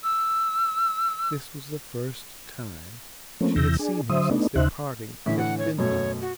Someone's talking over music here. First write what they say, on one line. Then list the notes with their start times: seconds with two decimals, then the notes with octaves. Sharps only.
This was the first time she had seen him since their parting at Finden.
0.03 E6
3.41 F3 A3 A#3 C4 C#4
3.56 E2 C3 E3 E6 G6 A#6
3.79 D4 G#4
4.10 D3 F#3 C5 E5 D#6
4.31 A3 B3 D4 D#4
4.56 D#2 C#3 D#4 C5 E5 F#6
5.26 A2 D3 E3 E5
5.38 F#5
5.58 C#5
5.78 F#2 B2 A3 C#5
6.22 F#4